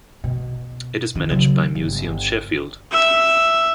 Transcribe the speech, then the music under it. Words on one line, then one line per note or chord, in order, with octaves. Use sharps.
It is managed by Museums Sheffield.
B2
D#3
C#3 F#3
G1
E5